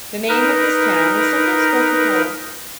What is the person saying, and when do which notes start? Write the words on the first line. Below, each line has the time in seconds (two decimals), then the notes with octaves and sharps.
The name of this town was sometimes spelled Catalla.
0.29 D#4 A#4 B4